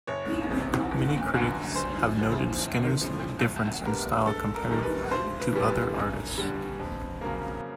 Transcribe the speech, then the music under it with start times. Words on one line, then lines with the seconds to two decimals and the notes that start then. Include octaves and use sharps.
Many critics have noted Skinner's difference in style compared to other artists.
0.07 F#1 C#5
0.49 E2 C3
0.91 G1
1.34 F#2 D3
1.76 F#2 C5
2.18 D3 F3
2.59 A#1
3.01 A2 F3
3.43 D2
3.85 D3 G3 B3 A#4
4.27 G1 A4
4.55 A#4
4.70 F#2 D#3 G3 A#4
4.83 B4
5.11 B1 C5
5.40 B4
5.53 A2 E3 G3 B3
5.68 B4
5.95 F#2
6.38 D3 G3
6.80 F2
7.21 C#3 F#3 A#3